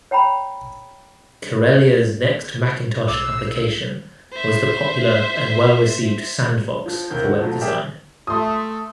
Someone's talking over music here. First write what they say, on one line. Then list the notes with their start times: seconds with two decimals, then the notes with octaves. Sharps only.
Karelia's next Macintosh application was the popular and well-received Sandvox for web design.
0.11 C#5 G5 A#5 B5
3.08 B1 D6 E6 C7
4.32 C5 E5
6.86 F3
7.10 D#2 C3 D#3 G6
7.25 F#4
7.40 B2 F3 F#3 A3
7.61 G4 G#4 A#4 D5 E5 G5
8.27 A3 C6 D#6